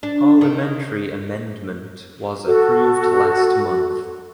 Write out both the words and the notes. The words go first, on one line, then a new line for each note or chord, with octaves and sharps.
Parliamentary amendment was approved last month.
D4
D#3
F#4 A4